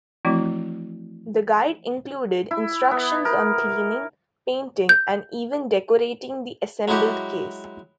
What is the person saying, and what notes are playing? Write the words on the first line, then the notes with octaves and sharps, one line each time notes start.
The guide included instructions on cleaning, painting and even decorating the assembled case.
E3 F3 A3 C4 E4 F#4
E4
B3
A#4
G6
F#3 G#3 E4 F#4 G4